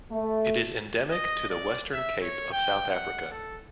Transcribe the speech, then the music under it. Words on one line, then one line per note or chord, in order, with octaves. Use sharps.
It is endemic to the Western Cape of South Africa.
A3
D#5
D5
E5
C#5
G5
F#5
A4